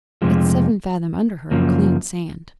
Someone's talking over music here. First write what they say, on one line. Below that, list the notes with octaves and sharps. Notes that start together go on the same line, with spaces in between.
It's seven fathom under her--clean sand.
F2 C3 F3 G#3
F#2 C#3 F3 A#3